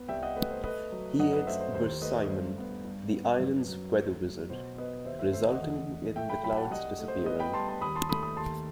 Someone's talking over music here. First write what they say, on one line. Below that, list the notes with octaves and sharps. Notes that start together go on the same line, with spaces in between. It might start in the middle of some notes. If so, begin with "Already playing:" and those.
He aids Bersimon, the island's weather wizard, resulting in the clouds disappearing.
Already playing: B3
C2 E5 G5
D#5 F#5
A3 B4
C5
A3 B4 D#5
F#3
F#2 D#5 F#5
B4 D#5
A3 C5 E5
C5
D#2 C5
A3 B4 D#5
G2 C5
B3
G2
B3
F#2 B4
F#3
A3
F#3
B2 C5
B3 B4 D#5
D#2 C5 E5
C5 E5
A3 C5 E5
D#5 F#5
E2
A3
A3 E5 G5
G5 B5
F#3 G5 B5
F#5 A5
C2 D#5 F#5
A3
C5
B3 B4 D#5
G5 B5
G3 A5 C6
A5 C6
D#2 B5 D#6
A5 C6
A3 B5 D#6
B5 D#6
D#2 A5 C6